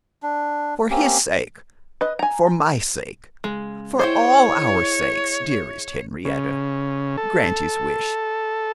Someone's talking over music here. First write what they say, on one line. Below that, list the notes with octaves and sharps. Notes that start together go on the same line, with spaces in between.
For his sake, for my sake, for all our sakes, dearest Henrietta, grant his wish.
D4
A#3 C4 C#4 G4
B4 D#5
G#5 A#5
C#3 G#3
G#3 E4 C5 C#5 G5
C#3
A4